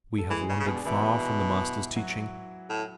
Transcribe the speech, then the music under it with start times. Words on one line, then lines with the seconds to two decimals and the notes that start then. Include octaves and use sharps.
We have wandered far from the Master's teaching.
0.18 A4
0.30 E3 G#3 G#4
0.49 C#3
0.60 C#3
0.67 B2
0.75 D4
0.85 B2 E3 E4
1.96 F#3 F#4
2.70 A2